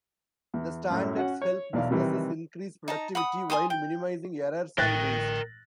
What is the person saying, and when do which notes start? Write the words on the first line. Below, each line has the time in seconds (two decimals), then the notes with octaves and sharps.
The standards help businesses increase productivity while minimizing errors and waste.
0.54 E2
0.90 F#2 A2
1.15 C#4 F#4 F#5
1.42 C#5
1.73 B1 E2 D5 F5
1.91 C3 D#3 E3 G3
2.88 D#4 A5 A#5
3.15 F#5 B5 D#6
3.50 G#5 A5 C6 D#6
3.70 G5
4.78 A1 A#4 G5 F#6 A6 A#6